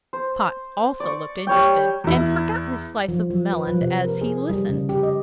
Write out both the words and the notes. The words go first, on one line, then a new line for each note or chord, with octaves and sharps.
Tot also looked interested, and forgot his slice of melon as he listened.
C5
D5 C#6
G3 C#5 G5
E2 E4
F3
F3
B4
F3
C3
A#4
G#4
G3
C#3
G4
D#5